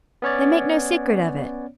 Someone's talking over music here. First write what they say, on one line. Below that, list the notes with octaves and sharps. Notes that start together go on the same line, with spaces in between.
They make no secret of it.
B3 C#4 C#5 D5